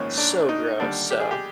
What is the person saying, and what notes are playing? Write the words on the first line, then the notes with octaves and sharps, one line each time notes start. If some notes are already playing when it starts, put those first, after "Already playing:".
So gross, so
Already playing: A#1 G#2 D#3 C#4
D4
D#4
D#2 D3 G3 D4
G4
G#4
G4